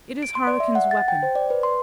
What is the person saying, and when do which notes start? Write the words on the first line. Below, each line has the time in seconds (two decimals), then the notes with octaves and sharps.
It is Harlequin's weapon.
0.23 D7
0.35 C6
0.47 D5
0.60 E5
0.75 F#5
0.91 A6
1.08 G5
1.23 C5
1.35 D5
1.50 B4
1.63 C6